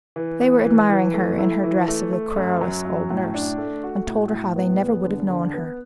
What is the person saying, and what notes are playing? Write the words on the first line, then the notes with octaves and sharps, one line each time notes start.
They were admiring her, in her dress of the querulous old nurse, and told her how they never would have known her.
E3
E3
E3
E3
A3
E4
E3
A3
A3
F#2
F#3
F#2
A2
D4
A3
F#4
A2
A2
B3
E2
D3
D3
B3